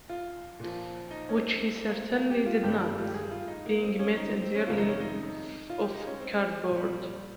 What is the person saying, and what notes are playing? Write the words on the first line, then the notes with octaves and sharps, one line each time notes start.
Which he certainly did not, being made entirely of cardboard.
F4
A#2 F3
D#4
C#4
C4
C4
A#3
A#3
G4
F4
G2 D#3 G3 G4
F4
G4
G#4
F4
D#4
A#3
C4
C#4
D#4
C4
C4
C#4
F2 C3 D#3 G3 F4
D#4
C#4
D#4
F4
G4
D#4
C#4
C4
A#2
G3